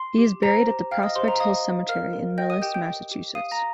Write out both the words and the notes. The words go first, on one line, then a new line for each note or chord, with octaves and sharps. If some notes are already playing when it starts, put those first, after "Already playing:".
He is buried at the Prospect Hill Cemetery in Millis, Massachusetts.
Already playing: C6 C7
G4
C5 A#5 A#6
G4
F5 G5 F6
D#5 D#6
G4 C5 C6
A#5
D#5 F5 D#6
F5
A#4 F5 F6
A#4
D#5 G5 G6
D#6 D#7
G4 G5 G6
G5 G6
G5
G4
F5 D#6 D#7
A#5 A#6